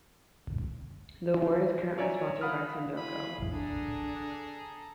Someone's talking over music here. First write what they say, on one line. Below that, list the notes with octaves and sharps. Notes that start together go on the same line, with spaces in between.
The award is currently sponsored by Sunoco.
C#5 D5 E5 G#5 A#5
F5 F#5 B5 D#6 F6
E4 F4 G#4 B5
D3 D4 G#4 A4 A#5